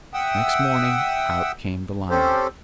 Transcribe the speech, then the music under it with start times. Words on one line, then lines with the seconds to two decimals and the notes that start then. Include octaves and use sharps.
Next morning out came the lion.
0.14 E5 F#5 G5 D#6 E6
2.10 C4 C#4 G4 A4 C5